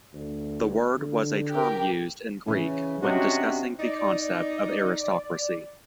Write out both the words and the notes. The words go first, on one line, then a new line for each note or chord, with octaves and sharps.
The word was a term used in Greek when discussing the concept of aristocracy.
D2
D3
G4 A#4
C#3 E3 C#4
C3 C#4 D4 F#4 D#5
D#4 D5